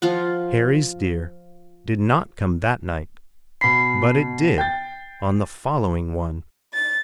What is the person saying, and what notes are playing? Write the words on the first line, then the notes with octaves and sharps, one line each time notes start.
Harry's deer did not come that night, but it did on the following one.
F3 F4 F#5
B2 B5 B6 C7
G5 G6 A6
A6